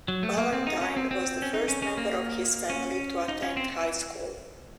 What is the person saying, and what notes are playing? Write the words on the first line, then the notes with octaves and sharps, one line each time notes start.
Ballantyne was the first member of his family to attend high school.
F#3
A3
A#3
C4
D#4
C#4
C4
C4
C#4
D#4
C#4
C#4
A#3
C#4
D#4
C#4
C4